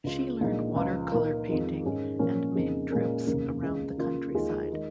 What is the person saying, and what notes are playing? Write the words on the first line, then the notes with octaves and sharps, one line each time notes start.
She learned water colour painting and made trips around the countryside.
C#2 C#3 G#3 F4
A#1 A#2 G#3 D#4
C#2 C#3 F3
A#2 A#3 D#4 A#4
F2 D#3 G#3 F4 A#4
G#2 D#3 C#4 G#4
A#2 F3 C#4 A#4
F2 C#3 A#3 D#4 G#4
A#2 G#3 C#4 A#4
F1 D#2 C#3 A#3
C#2 C#3 G#3
C#3 A#3 F4
D#2 D#3 G#3 F4 G#4
D#3 G#3